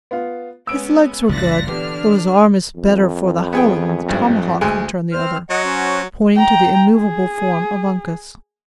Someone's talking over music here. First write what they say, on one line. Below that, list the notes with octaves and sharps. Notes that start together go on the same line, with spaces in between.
"His legs were good, though his arm is better for the hoe than the tomahawk," returned the other, pointing to the immovable form of Uncas.
B3 F4 F5
G#3 B3 C#4 E6 D7
F#1 C#2 G2 A#2 E3 F#6 A6 A#6
D3 E3 B3 D4 G4 F6
F2
B3 G#4 G5
G#1 G2
D2 G#3 G#5
C4 C5 F6
F#3 D#5 F#5
C#4 F#4 C5
G5 A#5
G#4